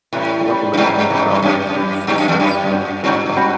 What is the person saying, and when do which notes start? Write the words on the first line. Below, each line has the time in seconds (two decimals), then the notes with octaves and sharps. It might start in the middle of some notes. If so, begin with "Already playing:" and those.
Leveling and crowning leaves the frets marred and rough.
0.13 A2 E3 G3 C#4
0.46 E3 G3 C#4
0.73 F#2
0.77 G2 E3 G3 C#4
1.10 E3 G3 C#4
1.42 F#2 E3 G3 C#4 G4
1.75 E3 G3 C#4 G4
2.07 G2 E3 G3 C#4 G4
2.18 F#2
2.28 E2
2.39 F#2 E3 G3 C#4 G4
2.72 G3 C#4 F#4
3.04 G2 G3 C#4 F#4
3.36 G3 C#4 F#4